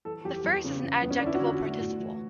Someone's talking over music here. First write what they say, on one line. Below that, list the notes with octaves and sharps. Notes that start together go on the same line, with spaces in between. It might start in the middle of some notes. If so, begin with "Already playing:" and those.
The first is an adjectival participle.
E3 A4
E2 G4
E2
C#3
E2
E2 B3
C#4
D4
D3 E4
F#4
D3
F#4
A2
A2
E3